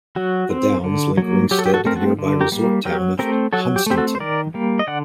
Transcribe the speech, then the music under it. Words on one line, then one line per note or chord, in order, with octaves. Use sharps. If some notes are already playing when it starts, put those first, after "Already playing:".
The downs link Ringstead to the nearby resort town of Hunstanton.
F#3 F#4
C4
D3
F#3 A#3
F#3 G4
A4
G4
F#4 A4
A3 C4 A#4
F#4 A4
D3
G4 A#4
G3 A#3
F#3 G4 A#4
A3 C4 G4 A#4
F#3 F#4 A4
G4
A3 C4 G4
F#4 A4
C5
D#3 A#4 D5
G3 A#3
D#5
D3 D5 F#5